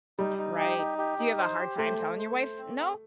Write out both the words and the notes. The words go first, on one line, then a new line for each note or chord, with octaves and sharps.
Right. Do you have a hard time telling your wife no?
G3 D#4
D#4
G4
D#4
G4
D#4
C5
G4
A3 C5
C5
C5
C5
C4
C4